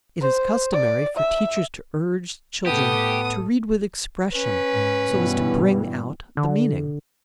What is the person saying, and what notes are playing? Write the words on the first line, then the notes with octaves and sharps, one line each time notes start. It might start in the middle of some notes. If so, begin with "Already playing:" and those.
It is customary for teachers to urge children to read with expression, so as to bring out the meaning.
C5
D5
E5
A2 B3 G4 A4 D#6
C#4 B4
G#2
G2 B2 E3
D3